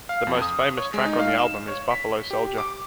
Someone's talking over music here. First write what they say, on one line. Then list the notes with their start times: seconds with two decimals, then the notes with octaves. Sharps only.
The most famous track on the album is Buffalo Soldier.
0.09 F5
0.27 F2
0.42 D#6
0.78 C#5
0.94 G#3
1.05 D#4
1.19 F5
1.39 E7
1.68 C#5
1.91 B6
2.31 G4
2.58 D6